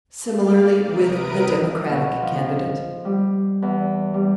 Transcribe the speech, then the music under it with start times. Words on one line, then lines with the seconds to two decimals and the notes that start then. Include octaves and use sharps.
Similarly with the Democratic candidate.
0.24 G4 D5 F5
0.79 C3 A#4 B4 D#6 D7
1.67 D#5
1.90 B2
2.22 F3
3.05 G3
3.62 E2
4.14 G3